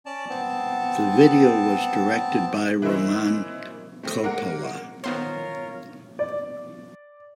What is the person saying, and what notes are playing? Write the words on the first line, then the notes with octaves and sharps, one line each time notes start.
The video was directed by Roman Coppola.
C#4 D5 A5
B3 C4 A5
E3 A#3 C#4 D#4 E4 C5
A3 C4
G#3 A#3 A#4 F#5
D#3 B3 F4 A#4 C5 C#5
D5